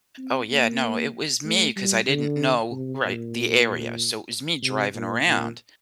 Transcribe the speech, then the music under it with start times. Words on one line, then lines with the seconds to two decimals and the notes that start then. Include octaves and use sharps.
Oh, yeah, no, it was me 'cause I didn't know, right, the area, so it was me driving around,
0.18 C4
0.49 A#3
1.45 A3
1.76 G3
2.08 D3
2.71 C3
3.04 A#2
4.62 C3
4.94 A#2
5.27 A#2